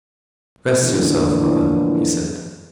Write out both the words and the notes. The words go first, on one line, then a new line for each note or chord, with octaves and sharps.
"Rest yourself, mother," he said.
A2 D3 E3 F3 G#3 A#3